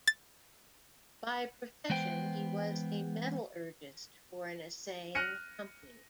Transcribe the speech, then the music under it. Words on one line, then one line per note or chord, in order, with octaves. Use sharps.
By profession, he was a metallurgist for an assaying company.
A6
E3 G#3 B3 C5 G5
F6 F#6 A#6 C#7 D#7